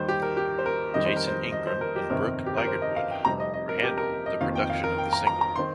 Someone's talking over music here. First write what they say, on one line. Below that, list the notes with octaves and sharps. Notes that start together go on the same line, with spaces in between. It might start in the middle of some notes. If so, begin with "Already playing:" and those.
Jason Ingram and Brooke Ligertwood handled the production of the single.
Already playing: D#2 D#3 G3 C5
G4
A#4
G4
C5
A#4
F2 D#3 G3 D#5
C5
A#4
C5
D#5
C5
A#4
G4
G1 F2 C3 D#3 C4 A#4
G4
A#4
C5
D#5
F5
G5
F1 F2 C3 G3 D#4 A#5
D#5
D#5
A#4
G4
A#4
D#5
F1 F2 D#3 A#3 F4 F5
G5
F5
A#4
G5
A#5
A#5
A#5
D#3 C4 C6